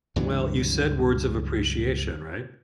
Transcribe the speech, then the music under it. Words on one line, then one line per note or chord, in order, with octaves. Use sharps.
Well, you said words of appreciation, right?
C#2 G2 E3 F#3